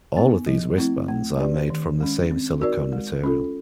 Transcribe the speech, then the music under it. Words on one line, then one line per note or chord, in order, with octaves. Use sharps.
All of these wristbands are made from the same silicone material.
B3 D#4
F3
A3 C4 E4
A3
D4 G4 B4 D5
D#3
G#3 C#4
C4
D#4 F#4 A#4 D5
G#3
C#4 F4 A4